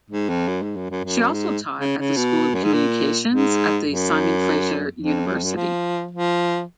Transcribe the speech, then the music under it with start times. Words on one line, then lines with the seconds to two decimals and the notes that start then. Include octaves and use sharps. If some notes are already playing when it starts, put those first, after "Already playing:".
She also taught at the School of Communications at the Simon Fraser University.
0.11 G#2
0.30 F2
0.48 F#2
0.62 G#2
0.76 F#2
0.91 F#2
1.05 F#2
1.32 G#2
1.79 C#3
1.98 C#3
2.17 B2
2.54 F#2
2.64 G#2
2.73 A#2
3.30 G#2
3.86 F#2
4.99 F2
5.27 F#2
5.35 F2
5.44 F#2
5.55 F3
6.11 F3